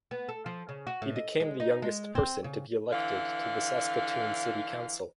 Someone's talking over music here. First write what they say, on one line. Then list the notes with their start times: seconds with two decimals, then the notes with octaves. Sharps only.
He became the youngest person to be elected to the Saskatoon City Council.
0.11 B3
0.29 A4
0.46 F3
0.69 C#3
0.87 F#4
1.02 A2
1.16 D#5
1.40 G#3
1.60 D#4
1.82 G#3
2.15 C4
2.44 C#3
2.92 D3 E3 F5